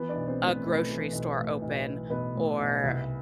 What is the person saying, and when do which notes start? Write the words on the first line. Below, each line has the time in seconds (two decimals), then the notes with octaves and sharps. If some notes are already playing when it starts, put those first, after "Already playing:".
a grocery store open or
Already playing: E3 B3 B4
0.09 D4 D5
0.15 B1
0.27 C4 C5
0.40 A2
0.45 B3 B4
0.64 B1 A3 A4
0.89 E3
1.13 B1
1.37 A2
1.62 B1
1.86 E3
2.10 B1 B3 B4
2.34 A2
2.59 B1
2.83 C2